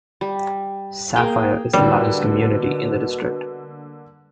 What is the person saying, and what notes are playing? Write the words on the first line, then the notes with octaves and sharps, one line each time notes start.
Sapphire is the largest community in the district.
G3
A#3 G#4 G5
B2 D3 G3 A#3